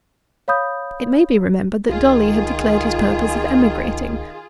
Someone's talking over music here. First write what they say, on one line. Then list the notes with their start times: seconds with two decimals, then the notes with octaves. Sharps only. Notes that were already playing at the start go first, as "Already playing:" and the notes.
It may be remembered that Dolly had declared his purpose of emigrating.
0.48 C#5 F5 B5 D#6 G6
1.89 C#2 D#3 F4 G#4